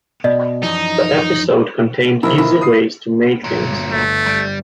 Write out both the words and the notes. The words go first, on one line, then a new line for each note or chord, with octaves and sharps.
The episode contained easy ways to make things.
B2 D5 D#5
F#2 E3 F3 D#4
B2 D#3 F3 E4
E4
D#6 C7
G1 A#2 F#3
A3
G3